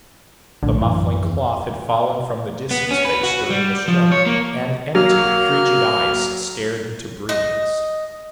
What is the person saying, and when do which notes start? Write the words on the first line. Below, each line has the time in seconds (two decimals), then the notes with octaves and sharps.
The muffling cloth had fallen from the Disan's face during the struggle, and empty, frigid eyes stared into Brion's.
0.63 A#1 A2 D3
0.81 F#2 E3
1.24 E2
2.71 B3
2.91 C#4
3.05 B4
3.23 F#4
3.50 G3
3.88 F3
4.12 C#5
4.26 A#3
4.95 F#3 A#3 F6
7.29 D#5